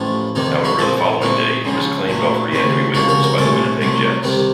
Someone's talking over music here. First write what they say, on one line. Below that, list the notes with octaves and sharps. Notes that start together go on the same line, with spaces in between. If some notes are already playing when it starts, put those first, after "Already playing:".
However, the following day he was claimed off re-entry waivers by the Winnipeg Jets.
Already playing: A1 A2 F3
F2 C3 D#3 A#3 D#4
D#4 F#4
A#2 F3 C4 F4 A4
A#2 A3 C4 D#4
C#2 C#3 F3
A#2 F#3 A3
D#2 C#3 A3 C4
C#2 C3 F3 A#3 C#4 D#4 F#4
F#4 A#4
F#4 A#4
C2 A#2 A3 C#4 A4 C5
C2 C3 F#3 A3
C2 C3 D#3